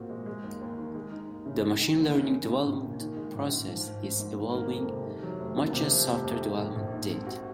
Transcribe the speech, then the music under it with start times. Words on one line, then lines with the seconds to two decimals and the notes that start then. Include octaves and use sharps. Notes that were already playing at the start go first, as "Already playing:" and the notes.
The machine learning development process is evolving much as software development did.
Already playing: A#2 C4 F#4
0.10 G#3
0.26 G#3
0.44 D#2
0.61 D#2
0.78 D#3
0.95 G#3
1.12 D#4
1.29 D#2
1.46 C#3
1.63 G#3
1.81 D#4
1.98 D#2
2.15 C#3
2.32 G#3
2.49 D#4
2.66 A#1
2.83 A#2
3.01 D#3
3.17 G#3
3.35 A#1
3.52 G#2
3.69 F3
3.86 G#1
4.03 G#1
4.20 G#2
4.37 D#3
4.54 A#3
4.71 F2
4.89 C3
5.05 D#3
5.23 F#3
5.40 F1
5.56 D#2
5.73 C3
5.91 F3
6.07 F1
6.24 F2
6.42 D#3
6.59 A#1
6.76 A#1
6.94 G#2
7.10 C4
7.27 F#4